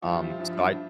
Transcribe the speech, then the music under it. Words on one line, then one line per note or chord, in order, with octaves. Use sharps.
um, so I
G2 F3 E4
F4
G4
F4
G2 F3 E4
D4